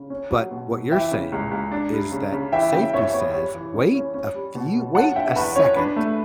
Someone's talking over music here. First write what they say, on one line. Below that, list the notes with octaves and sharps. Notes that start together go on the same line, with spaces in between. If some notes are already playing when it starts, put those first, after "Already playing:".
But what you're saying is that safety says, wait a few wait a second.
Already playing: C#3
C#4
F#3
B2
B2
E3 E5 G5
C#3
C#2
C#2
D4
G3
C#3
C#3
E3 E5 G5
C#3 E5 G5
F#2 C#5 E5
B3 C#5
G3 C#5
E3
C#3
C#4
C#4
G3
B2
B2
F#3 F#5 A5
D3 E5 G5
E2 B4
C#4 C#5
D4 B4
A3